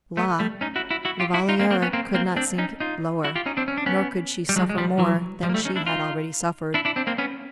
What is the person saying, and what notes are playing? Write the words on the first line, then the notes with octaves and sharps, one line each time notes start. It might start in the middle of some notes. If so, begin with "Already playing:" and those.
La Valliere could not sink lower, nor could she suffer more than she had already suffered.
A3 B3
G3 A3
C#4 D#4
E4 F#4
E4 F#4
E4 F#4
F4 G4
E4 F#4
D#4 F4
A#3 C4
A#3 C4
B3 C#4
A#3 C4
A#3 C4
C4 D4
C#4 D#4
D#4 F4
E4 F#4
F4 G4
C#4 D#4
C4 D4
C#4
D4
B3 C#4
G3
F#3 G#3
G#3
F3 G3
E3 F#3
F3 G3
A#3
G3 A3
C#4 D#4
D4 E4
D#4 F4
D4 E4
D4 E4
C4 D4
A#3 C4
B3 C#4